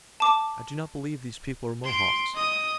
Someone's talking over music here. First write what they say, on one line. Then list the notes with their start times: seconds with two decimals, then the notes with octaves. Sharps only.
I do not believe these people are Mohawks.
0.20 A5 D6
1.84 C6 D7
2.34 D#5 D#6